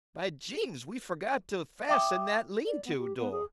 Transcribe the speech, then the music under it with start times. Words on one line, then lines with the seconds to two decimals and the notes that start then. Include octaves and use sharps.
By jings, we forgot to fasten that lean-to door!
1.89 E5 G5 D6 D#6
2.67 D5
2.85 B3
2.98 G4
3.18 B3
3.32 G#4